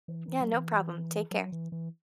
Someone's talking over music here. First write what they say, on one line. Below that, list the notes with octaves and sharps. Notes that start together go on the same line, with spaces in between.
Yeah, no problem, take care.
E3
E3
F#3
E3
F#3
E3
E3